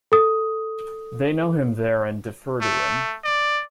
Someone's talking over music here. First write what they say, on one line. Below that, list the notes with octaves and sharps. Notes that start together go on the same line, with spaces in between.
They know him there and defer to him.
A4 D#6
A3
D5